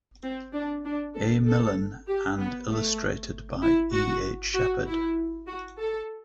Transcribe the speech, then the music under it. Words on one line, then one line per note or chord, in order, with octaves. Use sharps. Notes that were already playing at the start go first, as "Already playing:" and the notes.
A. Milne and illustrated by E. H. Shepard.
C4
D4
D4
A4
A4
G4
B3
A3
E4
F#4
F#4
E4
F#4
A4